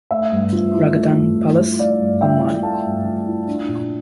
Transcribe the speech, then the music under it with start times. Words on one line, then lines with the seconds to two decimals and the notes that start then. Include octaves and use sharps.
Raghadan Palace, Amman.
0.11 A3 E5
0.32 G2
0.52 F3
0.73 E4
0.95 A3
1.16 G2
1.37 F3
1.58 E4
1.79 A3 D5 F5
2.00 G2
2.21 F3 E5 G5
2.42 E4
2.63 A3 F5 A5
2.84 G2
3.05 F3
3.26 E4
3.48 D4
3.68 A#2